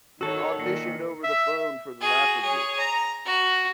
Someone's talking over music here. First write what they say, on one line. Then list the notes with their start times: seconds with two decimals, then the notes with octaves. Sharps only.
au auditioned over the phone for the laugher gig,
0.21 D#3 F#4 A4 C#5 E6
0.59 A#2 D#3 A#6 C7 C#7
1.24 E5
2.01 F#4 G#4
2.42 G#4 C#5
2.79 A#5
3.25 F#4